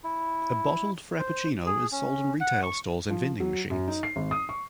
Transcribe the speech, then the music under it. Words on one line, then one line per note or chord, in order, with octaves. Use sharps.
A bottled "Frappuccino" is sold in retail stores and vending machines.
E4
C5
G#4
C#4
F#5
C#6
F3
F#3
F#2
D#4
C7
G#1
D#6
C#6